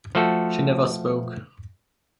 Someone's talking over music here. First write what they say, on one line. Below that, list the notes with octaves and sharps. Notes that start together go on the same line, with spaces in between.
She never spoke.
F3 A3 F#4 A4